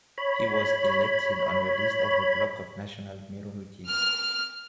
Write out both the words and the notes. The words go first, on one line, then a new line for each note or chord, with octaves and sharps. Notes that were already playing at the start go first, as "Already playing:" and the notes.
He was elected on the list of the Bloc of National Minorities.
C#5 B5
F6